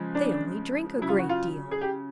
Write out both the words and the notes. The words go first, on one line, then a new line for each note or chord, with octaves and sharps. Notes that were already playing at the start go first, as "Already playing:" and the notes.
They only drink a great deal.
Already playing: C#3 F3 G#3
D4
C#3 F#3 E4
F4
F#4
F4
G#4
G4